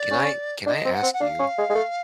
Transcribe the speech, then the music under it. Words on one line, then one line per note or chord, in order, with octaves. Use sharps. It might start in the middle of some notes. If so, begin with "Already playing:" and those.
can I can I ask you,
Already playing: D5
C#4
D4 D#5
C4
F#5
C4
F#5
D4 F5
C#4
G#3
G#3
A3